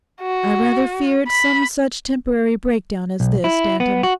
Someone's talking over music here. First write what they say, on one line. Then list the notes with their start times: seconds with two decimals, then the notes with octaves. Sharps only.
'I rather feared some such temporary breakdown as this, Danton.
0.21 F#4
1.28 B5
3.20 B1
3.44 E4
3.80 B3
4.03 F#4